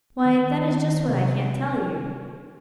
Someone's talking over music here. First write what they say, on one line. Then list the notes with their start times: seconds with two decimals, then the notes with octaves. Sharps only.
'Why, that is just what I can't tell you.
0.25 D#3
1.07 C3